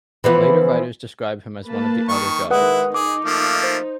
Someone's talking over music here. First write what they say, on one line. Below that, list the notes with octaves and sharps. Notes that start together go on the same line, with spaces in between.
Later writers describe him as one of the Outer Gods.
E3 F3 B3
A#3 B4 A5
D#3 C#6
D#3 G#3 E4 B4 F#5 D#6
D#4 G#4 D6
F3 A3 A#3
C5